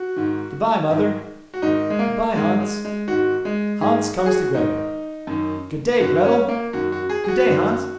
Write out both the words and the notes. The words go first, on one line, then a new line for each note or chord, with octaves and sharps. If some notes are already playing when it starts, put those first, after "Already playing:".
Goodbye, mother.' 'Goodbye, Hans.' Hans comes to Gretel. 'Good day, Gretel.' 'Good day, Hans.
Already playing: F#4
G#2 D#3
G#2 D#3
F#4
G#2 D#3 D#4
G#3
A#3
G#2 D#3 G#3
G#3
G#3
G#2 D#3 F#4
G#3
G#2 D#3 G#4
F#4
G#4
F#4
G#2 D#3 D#4
F#2 D#3
F#2 D#3 F#4
C#4
A#3
F#2 D#3 F#4
F#4
G#4
G#4
F#4
F#2 D#3